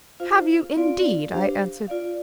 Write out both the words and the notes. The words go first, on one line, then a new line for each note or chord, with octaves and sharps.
'Have you, indeed?' I answered.
F4 C5 F5
C4 F4 D5 F5
D4 G4 C5 F5
F4 D5 F5